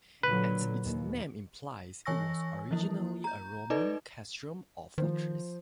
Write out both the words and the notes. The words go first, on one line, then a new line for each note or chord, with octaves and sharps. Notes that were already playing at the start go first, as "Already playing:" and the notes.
As its name implies, it was originally a Roman castrum or fortress.
A#2 D3 F#3 B4
D#2
E3 C#5 G#5 C#6 E6 A#6
E3 F3 A#3 E4
A#5 G6
D#4 A4 B4 D5 D#5
D#3 F3 C5